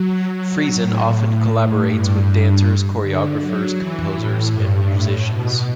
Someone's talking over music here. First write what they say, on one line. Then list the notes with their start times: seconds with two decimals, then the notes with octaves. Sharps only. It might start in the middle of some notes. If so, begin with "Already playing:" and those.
Friesen often collaborates with dancers, choreographers, composers and musicians.
Already playing: F#3
0.76 A2
1.89 G2
3.01 D3
3.40 F#3
3.76 E3
4.14 A2
4.52 G2
4.89 A2
5.27 B2